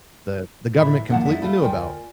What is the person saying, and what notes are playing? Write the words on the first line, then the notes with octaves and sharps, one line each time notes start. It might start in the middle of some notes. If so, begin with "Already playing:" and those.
the the government completely knew about,
A2 E3 E5 B5
D#3 F3 A#3 D4 F#5 A5
G#3 D#4 E4 D5 E5 F#5
A3 F4 B5
D2 F4 A#4 D5 G5 G#5